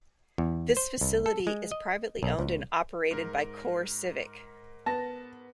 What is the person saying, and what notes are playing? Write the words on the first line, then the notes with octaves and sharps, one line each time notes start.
This facility is privately owned and operated by CoreCivic.
E2
C5
C2
A4
G#3
D#5
B1
C#2
G#2 A#4
B3 A5 A#6